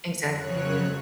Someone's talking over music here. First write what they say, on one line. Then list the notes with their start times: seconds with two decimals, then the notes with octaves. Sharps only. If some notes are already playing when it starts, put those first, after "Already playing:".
Exactly, yeah,
0.17 F2 C#3 F#3 C#5 F#6